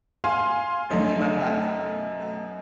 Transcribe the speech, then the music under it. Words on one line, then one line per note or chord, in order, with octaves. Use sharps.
I need my blocks to be, like
F5 G#5 C6
F#2 A3 D#4